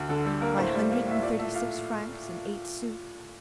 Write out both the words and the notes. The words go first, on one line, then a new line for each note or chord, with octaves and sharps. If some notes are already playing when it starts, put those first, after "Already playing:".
My hundred and thirty-six francs and eight sous.
Already playing: D2
D3 A4
G3 A4
A#3 A#4
A2 C5
G3
A#3
A2 E5
A#2 D5
A3 E5
A#2 F5